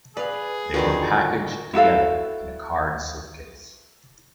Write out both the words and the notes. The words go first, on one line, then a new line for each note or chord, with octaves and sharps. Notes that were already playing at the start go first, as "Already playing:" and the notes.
They were packaged together in a card slipcase.
G#4 B4 D5 F5
D3 D#3 F#3 F4 F#4 B4
E4 F#4 A4 F5